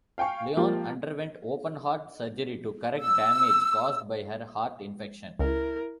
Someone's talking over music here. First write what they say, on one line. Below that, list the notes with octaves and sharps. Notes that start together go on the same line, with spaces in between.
Lyonne underwent open heart surgery to correct damage caused by her heart infection.
F5 G5 G#5 C#6
F3 A#3 F4 G4
E6
C#2 E4 A#4